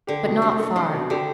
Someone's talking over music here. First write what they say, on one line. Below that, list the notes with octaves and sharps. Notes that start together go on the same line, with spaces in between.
But not far.
D3 G4
B2
C3 D4
A3
C3 D4
B2
D3 G4